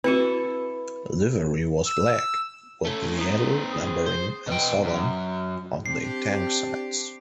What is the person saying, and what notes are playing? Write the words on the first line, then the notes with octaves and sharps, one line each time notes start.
Livery was black, with yellow numbering and 'Southern' on the tank sides.
C4 E4 F#4 A4 B4 C#6
E6
A3 C#4
C4 D#4 B4
G#4
C5
B2 G5
F#2
C4 D4 G4 C7